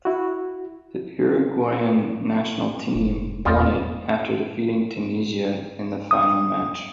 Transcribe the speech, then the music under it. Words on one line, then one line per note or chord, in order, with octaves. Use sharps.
The Uruguayan national team won it after defeating Tunisia in the final match.
E4 F#4
F1
E2 G3 F4 D#5
D#6